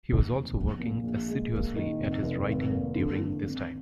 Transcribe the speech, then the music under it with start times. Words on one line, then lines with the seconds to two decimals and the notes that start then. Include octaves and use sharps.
He was also working assiduously at his writing during this time.
0.09 D#2
0.32 F1
0.56 A#1
0.79 A#2
1.03 A#1
1.28 G#3
1.52 A#3
1.76 D#3
2.00 F1
2.23 F1
2.48 G#1
2.72 A#3
2.95 D3
3.19 D3
3.43 G#1